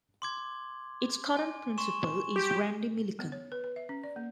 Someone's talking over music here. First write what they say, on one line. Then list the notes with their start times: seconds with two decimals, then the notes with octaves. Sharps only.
Its current principal is Randy Milliken.
0.22 C6 D6 G#6
1.37 G#5
1.78 C6 C#6 E7
2.36 G4
3.19 B3
3.32 C#5
3.52 B4
3.64 B4
3.76 E5
3.89 C#4
4.04 D5
4.16 A#3